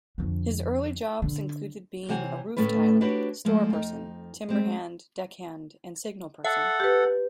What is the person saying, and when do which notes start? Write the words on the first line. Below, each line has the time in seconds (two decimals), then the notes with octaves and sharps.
His early jobs included being a roof tiler, storeperson, timberhand, deckhand, and signalperson.
0.18 F2 D3
1.22 D3
2.09 C3 E3 C5 C#5 F#5 G#5
2.57 D2 A2 A3 C#4 B4
3.01 D4 F#4 G4 B4 C#5
3.45 F3 G#3 A3
3.70 F2 D#4
4.49 G#3 C4
6.45 A4 E5 F#5
6.80 G4 B4